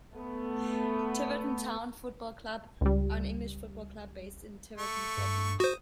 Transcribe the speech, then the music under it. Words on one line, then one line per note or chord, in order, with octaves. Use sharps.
Tiverton Town Football Club are an English football club based in Tiverton, Devon.
A3 B3
C#2 G3
A3 C#6
G2
F#4 C5 D#6